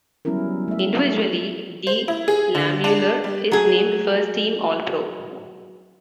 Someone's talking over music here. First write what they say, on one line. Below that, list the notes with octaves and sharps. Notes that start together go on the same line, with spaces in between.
Individually, DeLamielleure is named First-team All-Pro.
F#3 G3 B3 C#4 E4 A#4
A3 E5
C5
E4
G#4
D3
D4
G3
F#3 G#4